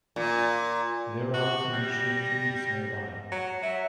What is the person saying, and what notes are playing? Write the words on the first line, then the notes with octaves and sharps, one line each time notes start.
There are Phoenician tombs nearby.
A#2
F#4
G3 A#6
F#3
F#3 E5